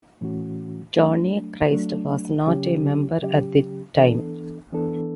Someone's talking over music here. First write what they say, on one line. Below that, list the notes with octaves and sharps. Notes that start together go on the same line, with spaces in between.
Johnny Christ was not a member at the time.
A2 E3 A3 C#4 F#4
F#3 A3 D4
F#3 A3 D4
C#3 F#3 C#4 G4
C#3 F#3 C#4 G4
E3 B3 D4 A4
E3 B3 D4 A4